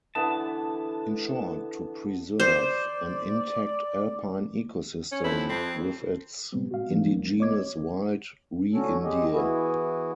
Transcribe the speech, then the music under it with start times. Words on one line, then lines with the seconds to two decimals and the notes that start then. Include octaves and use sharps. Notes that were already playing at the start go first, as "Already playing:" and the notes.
In short: To preserve an intact alpine ecosystem with its indigenous wild reindeer.
0.15 D3 E3 B3 A5
2.40 C5 D5
5.12 C#4
5.24 F2 E4
5.50 F2 C4
6.52 A2 C3 G3 G#3 B3 C4
6.71 F#4 F5
6.89 E3 F3 G#3 A3 B3 D4
7.07 F#3 A#3 C#4
7.39 B3 C#5 D#5 D6 G#6
8.73 D3 C#4 F#4 A4 C#5
9.03 G#3 G4 G#4 D#5
9.32 E3 B3 E4 F#4 G#4